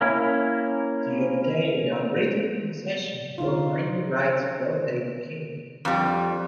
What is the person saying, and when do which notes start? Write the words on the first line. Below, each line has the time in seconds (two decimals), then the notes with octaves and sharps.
They obtained a written concession for mining rights from they king.
0.01 A#3 C#4 E4
3.38 D3 D#4 F4
5.85 F2 G3